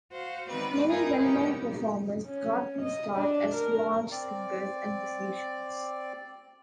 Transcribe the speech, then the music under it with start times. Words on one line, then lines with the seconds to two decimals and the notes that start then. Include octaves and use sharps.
Many well known performers got their start as lounge singers and musicians.
0.12 F#4 C5 F5
0.50 D#3 G#3 B3 C4 B4 D5
0.88 D#4 E4 G#4 A#4
1.22 B3 C#4 D#4 E4 G4
2.27 C#4
2.81 D#5
3.14 D4
3.54 A#4
4.11 C4 D5